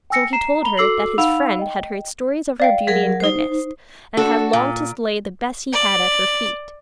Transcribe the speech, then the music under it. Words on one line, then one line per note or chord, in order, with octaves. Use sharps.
So he told her that his friend had heard stories of her beauty and goodness, and had longed to lay the best he had at her feet.
G5 G#5 E6 A#6 C#7
A#5 C7 E7
A#5 B5 F7 G7
F#4 A4 D6 E6 C7 F#7
D#4 F5 F#5 B5 E6 F7
D#5 G5
D5 F5 G5
F#3 G#4 A#4
D#4 C5
D4 F#4 A4
A#2
D5